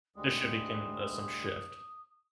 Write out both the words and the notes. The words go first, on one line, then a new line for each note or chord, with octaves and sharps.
This should become, uh, some shift.
D2 G3 G#3 D#6